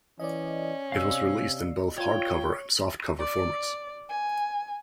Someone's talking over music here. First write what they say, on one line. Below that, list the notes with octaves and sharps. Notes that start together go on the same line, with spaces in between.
It was released in both hardcover and softcover formats.
E3 C#4 D5 D#5
C3 F5 E6
F4 C#5 G5
D5
G#5